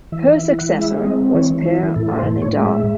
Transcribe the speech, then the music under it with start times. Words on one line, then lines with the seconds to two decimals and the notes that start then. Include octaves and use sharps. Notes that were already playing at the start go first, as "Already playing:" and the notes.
Her successor was Per Arne Dahl.
0.12 E3 E5
0.36 E5
0.43 E4
0.58 F#5
0.73 G#3
0.81 E5
1.04 C4 D#5
1.34 E3 C#5
1.65 E4
1.96 A2 A4
2.08 A4
2.19 C5
2.27 A2
2.42 C#5
2.57 G#3
2.65 E5